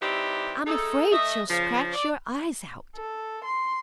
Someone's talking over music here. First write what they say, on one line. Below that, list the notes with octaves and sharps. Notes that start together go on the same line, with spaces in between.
"I'm afraid she'll scratch your eyes out."
E3 C4 D#4 E4 G4 D5
A3 D#4 G#4 A4
A3 D#5 E5
C#3 F3
D5
A4
C6